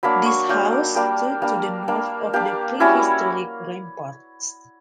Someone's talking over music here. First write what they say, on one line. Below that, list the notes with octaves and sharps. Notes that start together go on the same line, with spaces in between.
This house stood to the north of the prehistoric ramparts.
F#3 A#3 D4 B5
C#6
F#3 A#3 D4 G5
A#4
G3 A#3 D4 G4
G3 A#3 D4
A#3 D4
A#3 D4 G4
G3 C#4 E4 F#4